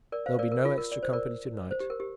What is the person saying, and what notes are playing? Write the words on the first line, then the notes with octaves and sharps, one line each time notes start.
There'll be no extra company to-night.
A#4 D5
C5 F5
A#4 D5
A#4
F4
A#4
D5
C5
A#4 D5
C5
G4
A#4
G4